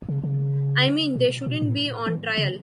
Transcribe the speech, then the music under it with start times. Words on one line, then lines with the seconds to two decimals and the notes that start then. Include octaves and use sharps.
I mean, they shouldn't be on trial.
0.09 C#3
0.24 C#3
1.16 B2
1.46 B2
1.62 A2
2.06 E3
2.37 C#3